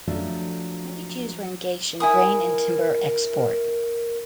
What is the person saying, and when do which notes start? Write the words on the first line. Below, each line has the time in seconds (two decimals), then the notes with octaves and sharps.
Many Jews were engaged in grain and timber export.
0.07 F3 F#3 A3 D4
2.00 E4 A#4 G#5 D#6